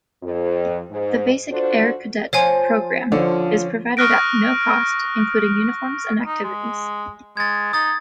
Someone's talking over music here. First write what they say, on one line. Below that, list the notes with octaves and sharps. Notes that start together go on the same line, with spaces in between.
The basic Air Cadet program is provided at no cost, including uniforms and activities.
F2
G#2
D4 F4 F#4 A4 C5
F3 C5 C#5 F5 G#5
D3 F3 C#4
C#6 D#6 F6 F#6 A#6 D7
D#4
G#3
G#3 G#6 A6
D#4 D#6 A6